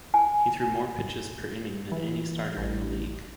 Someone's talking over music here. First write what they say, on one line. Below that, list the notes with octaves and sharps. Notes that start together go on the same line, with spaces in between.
He threw more pitches per inning than any starter in the league.
G#5
E3
A1